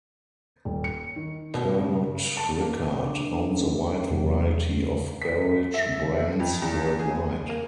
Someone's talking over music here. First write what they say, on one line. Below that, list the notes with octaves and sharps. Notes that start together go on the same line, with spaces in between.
Pernod Ricard owns a wide variety of beverage brands worldwide.
D#1
C#7
D#3
B2
C#3
A5
A#3
D4
E2 C3 F#3 A#3
B6
E5
F2
E2
G#4
A#3